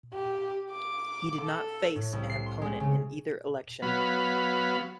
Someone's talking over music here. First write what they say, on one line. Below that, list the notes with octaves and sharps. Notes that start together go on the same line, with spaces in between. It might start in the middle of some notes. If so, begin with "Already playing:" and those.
He did not face an opponent in either election.
G4
D6
A4
A2
C2
C7
C6
G#3
C#3
F#3 B3 F5 B5